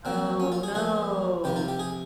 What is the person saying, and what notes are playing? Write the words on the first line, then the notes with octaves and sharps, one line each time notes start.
Oh, no.
A#2 F3 C4
C#4
F4
G#4
A#2 F3 G#4
C3 F3 G4
F4
G4
G#4